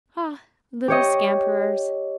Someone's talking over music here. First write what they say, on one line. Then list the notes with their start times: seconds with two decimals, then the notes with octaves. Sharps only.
Ah, little scamperers!
0.88 G4 C#5 D#5